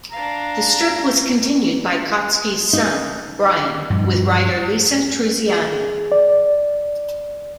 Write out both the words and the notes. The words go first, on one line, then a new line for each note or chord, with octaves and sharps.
The strip was continued by Kotzky's son, Brian, with writer Lisa Trusiani.
D4 F5 A#5
D#4
G2 F3
G#4
D5